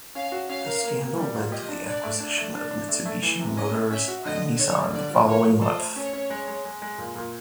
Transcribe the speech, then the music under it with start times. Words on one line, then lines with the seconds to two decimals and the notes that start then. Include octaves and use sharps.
The scandal led to the acquisition of Mitsubishi Motors by Nissan the following month.
0.15 C#4 F5
0.32 F#4
0.49 C#4 F5
0.66 A#4
0.83 A#3
1.01 A#3
1.18 G3
1.34 A#2
1.52 G4 D#5
1.69 D4
1.86 D4 D5
2.03 A3
2.20 D4
2.37 A3
2.54 D4
2.71 D4
2.89 A3
3.05 A3
3.22 E3
3.40 C3
3.56 C#4 D#5
3.74 A3
3.90 C#4 E5
4.08 F#4
4.25 D3 D#5
4.42 D3
4.59 D3 C#5
4.76 G3
4.94 D3 D5
5.11 F3
5.28 A#3 C#5
5.45 F3
5.62 A4 C5
5.79 A3
5.96 C#4 C#5
6.13 C#4
6.30 G#3
6.47 G#3
6.65 G#3
6.82 G#3
6.98 A#2
7.15 A#2